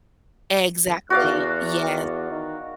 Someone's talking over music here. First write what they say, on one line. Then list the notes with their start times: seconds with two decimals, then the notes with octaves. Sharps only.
Exactly, yeah.
1.10 E2 F#4 D5 F5
2.31 D#3